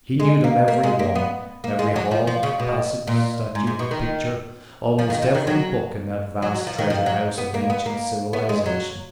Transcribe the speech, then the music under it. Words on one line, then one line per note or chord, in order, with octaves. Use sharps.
He knew them every one, every hall, passage, statue, picture, almost every book in that vast treasure-house of ancient civilisation.
G#3
A#3
A#3
G#3
A#3
B3
A#3
G#3
F#3
F3
F3
C#3
B2
A#2
G#2
G#2
B2
D#3
F3
D#3
F3
D#3
F#3
F#3
F#3
F3
D#3
F3
F#3
B3
A#3
B3
A#3
B3
G#3
F#3